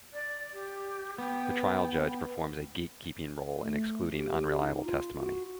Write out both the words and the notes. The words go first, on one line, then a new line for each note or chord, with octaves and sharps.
The trial judge performs a "gatekeeping" role in excluding unreliable testimony.
D5
G4
B3 G5
A3
G4
D#4
F4
F#4